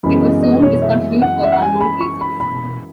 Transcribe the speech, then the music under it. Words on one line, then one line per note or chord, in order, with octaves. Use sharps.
It was soon discontinued for unknown reasons.
F#2 C#3 E3 G#3 B3 B5
D#5
D#5
C#5
E5
F#5
E5
F#5
G#5
B5
C#6
B5
B5